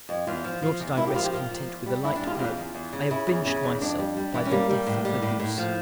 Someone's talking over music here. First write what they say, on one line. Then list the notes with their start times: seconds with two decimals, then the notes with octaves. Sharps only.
Nor did I rest content with a light blow, I avenged myself by the death of the goose.
0.09 F2
0.27 E2 F4
0.44 F3
0.62 F3
0.80 E2
0.97 A#2 E4
1.07 G4
1.15 F3 F4
1.24 G4
1.33 A#2 F4
1.51 F3
1.68 E2
1.86 G3
2.04 E2 E4
2.16 D4
2.21 C#3
2.27 F4
2.35 G4
2.39 E2 F4
2.57 E2
2.74 E2
2.93 C#3
3.11 C#3 E4
3.28 E2
3.45 C#3
3.63 E2
3.81 F2 D4
3.99 G3
4.17 G3
4.34 E3
4.45 C#4
4.51 G3 A#3
4.70 G3
4.87 A2
5.05 G3
5.22 A2
5.40 A2
5.58 F3